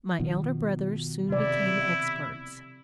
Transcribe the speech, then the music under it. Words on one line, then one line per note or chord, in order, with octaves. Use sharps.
My elder brothers soon became experts.
B2 D#3 F3
C3 E4 D5